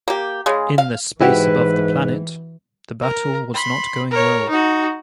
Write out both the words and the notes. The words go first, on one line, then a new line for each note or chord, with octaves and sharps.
In the space above the planet, the battle was not going well.
A#3 G4
C#3 G#3
F5
G#2 E3 E4 F#4 G4 B4
A#4
B5 C6
A#4 C#5
D#4 F#4